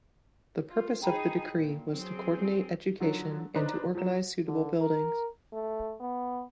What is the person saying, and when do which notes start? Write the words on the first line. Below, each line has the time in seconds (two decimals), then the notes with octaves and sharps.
The purpose of the decree was to coordinate education and to organize suitable buildings.
0.71 F4
1.02 D#4 G#4 G5 A#5 B5
1.56 A#2
1.93 F#3 C4 G#4
3.00 D3 F3 F#3
3.55 D4 D#4 B4 C5 A#5
3.95 F3 F#3 E7
4.46 D3
4.81 A#4
5.53 A3
6.00 B3